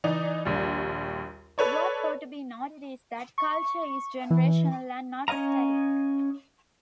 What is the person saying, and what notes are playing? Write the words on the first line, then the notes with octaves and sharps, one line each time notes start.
What ought to be noted is that culture is generational and not static.
E3 D#4 D5
A#1 D#2 G3
A4 B4 C#5 D5
C#6
E3
C#4 C#5 D#5 F5 A#5